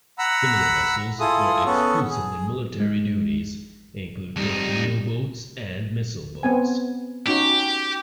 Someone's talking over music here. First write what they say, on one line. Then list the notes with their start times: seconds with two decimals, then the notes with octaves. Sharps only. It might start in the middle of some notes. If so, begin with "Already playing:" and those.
Similar vessels for exclusively military duties include torpedo boats and missile boats.
0.18 F#5 A#5 B5 E6
1.20 E4 F4 G#4 A4 D#6
1.65 B3 C#4 G#4 A4
2.10 G#4
2.80 G#3
4.36 F2 G3 D#4
6.43 B3 C4 G#5
7.27 C#4 D#4 F#4 G4